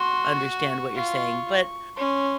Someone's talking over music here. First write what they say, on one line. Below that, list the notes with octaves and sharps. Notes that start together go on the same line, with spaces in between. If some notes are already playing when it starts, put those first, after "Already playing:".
understand what you're saying, but
Already playing: F#4 C6
C#6
F4
C#4 C6